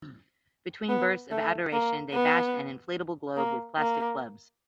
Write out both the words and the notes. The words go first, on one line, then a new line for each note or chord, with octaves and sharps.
Between bursts of adoration, they bashed an inflatable globe with plastic clubs.
B3
A3
A#3
B3
A#3
A#3